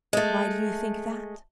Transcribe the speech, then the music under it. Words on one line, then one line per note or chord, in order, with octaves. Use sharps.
"Why do you think that?"
G#3 A3